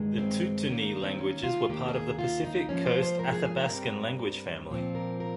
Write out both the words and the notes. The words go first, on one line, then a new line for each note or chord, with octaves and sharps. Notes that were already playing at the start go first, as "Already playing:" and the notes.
The Tututni languages were a part of the Pacific Coast Athabaskan language family.
Already playing: G2 D#3 G#3
C4
G#2 D#3 A#3 C#4
C4
C#4
F4
D#2 D#3 A#3 G4
G#4
F4
D#4
G#2 F3 A#3 C#4
C5
C5
A#4
G#4
G#4
A#4
G2 G3 C4
A#2 F3 C4
A#4
A#4